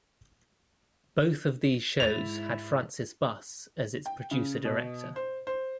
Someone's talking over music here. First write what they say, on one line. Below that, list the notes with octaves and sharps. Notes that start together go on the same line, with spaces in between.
Both of these shows had Frances Buss as its producer-director.
G#2 E4 A6 F7
G5
C#3
B2
C5
C5